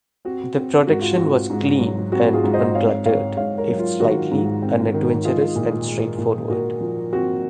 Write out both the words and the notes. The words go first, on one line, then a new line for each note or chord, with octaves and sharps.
The production was clean and uncluttered, if slightly, unadventurous and straight forward.
C4 F#4
C4
G#2 F#4
F4
C4 F#4
G#2
F#3
C4 F#4
F4 G#4
G#2
C5 D#5
C4 C#5 F5
C4 C#5 F5
G#2 C#5 F5
A#4 C#5
F#3
F4
D#3 F#4
G#2
C4
D#3
G#3 F4 G#4
A#2
G#3
A#2
A#2 F#4 A#4
F3
C4 F#4